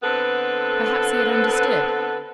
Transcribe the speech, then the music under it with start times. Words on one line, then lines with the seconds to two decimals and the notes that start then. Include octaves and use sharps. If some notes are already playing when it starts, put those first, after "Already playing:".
Perhaps he had understood.
0.03 D3 B3 C4 A4 B4